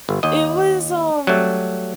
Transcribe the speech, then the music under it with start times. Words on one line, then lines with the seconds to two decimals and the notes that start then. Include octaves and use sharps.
It was, um
0.09 G1
0.23 D#2 D#5
1.27 F#3 G3 A3